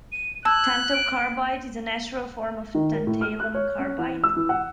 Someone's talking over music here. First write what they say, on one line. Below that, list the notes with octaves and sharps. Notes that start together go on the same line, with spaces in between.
Tantalcarbide is a natural form of tantalum carbide.
D#7
A5 E6 F#6 G#6
D7
D#3
A#4
A2
F6
F#6
C#5
C#4
E3
E6
E3
F#5